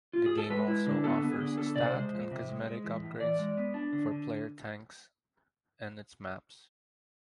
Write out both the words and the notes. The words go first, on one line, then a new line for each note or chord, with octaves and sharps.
The game also offers stat and cosmetic upgrades for player tanks and its maps.
F4
G#4
A4
G#3 B4
E4
D3
B3 A4
B3
G#4
D3
B3 A4
C3 D5
C5
G#3
F2
C3
G#3
G#3
E3
A2
E3 D5
G#3
B3
D4
D3
D3